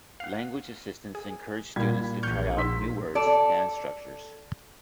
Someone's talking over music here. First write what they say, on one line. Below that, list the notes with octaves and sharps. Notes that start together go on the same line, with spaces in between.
Language assistants encourage students to try out new words and structures.
F5 F#5
G#4
A#2 G3 F4 B5 G#6
A#1 C#6 F6 G6
D#4 C6 E6 B6
A4 D5